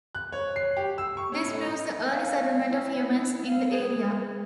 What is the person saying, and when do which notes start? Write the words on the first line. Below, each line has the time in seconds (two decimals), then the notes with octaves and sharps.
This proves the early settlement of humans in the area.
0.15 F#6
0.32 C#5
0.56 C7
0.77 G4
0.98 E6
1.17 C#6
1.32 C#4
1.48 A2
2.10 F5
2.69 E4
3.46 F5
3.70 G#4